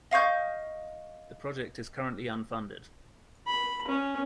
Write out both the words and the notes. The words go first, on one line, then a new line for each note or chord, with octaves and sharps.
The project is currently unfunded.
D#5 F5 C#6 G6
B5
C#4